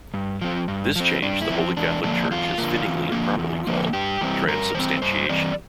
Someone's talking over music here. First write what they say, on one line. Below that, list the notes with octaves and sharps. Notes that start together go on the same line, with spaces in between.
This change the holy Catholic Church has fittingly and properly called transubstantiation.
G2
F3 C4
G2
F3 C4
G2 D4
E4
F3 C4
E2 D4
D3 F3 A#3 D4
E2 F4
D3 F3 A#3
E2
D3 F3 A#3
E2
D3 F3 A#3
G2 G4
E3 G3 C4
G2 A#4
E3 G3 C4 C5
G2 C5
E3 G3 C4 D5